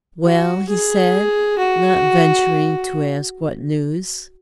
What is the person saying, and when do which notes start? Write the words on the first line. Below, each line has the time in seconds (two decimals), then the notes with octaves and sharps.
"Well?" he said, not venturing to ask what news.
0.24 F#4
0.69 G#4
1.58 F#4